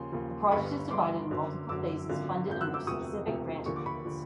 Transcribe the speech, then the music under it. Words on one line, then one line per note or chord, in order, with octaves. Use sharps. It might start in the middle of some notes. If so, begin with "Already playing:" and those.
The project is divided in multiple phases funded under Specific Grant Agreements.
Already playing: D#2 C#3 F3 C6
D#2 C#3 F3
G1 G2 D3 B5 C#6
G1 G2 D3 C6 D6
F#1 F#2 D3 F#3
F#1 F#2 D3 F#3 D6 E6
G#1 F#2 D3 F3
G#1 F#2 D3 F3 G6
E6 F#6
D6 E6
E1 D2 C3 F3 C#6 D#6
E1 D2 C3 F3
D#2 D3 F3 C#6
D6
B5 C#6
D3 F3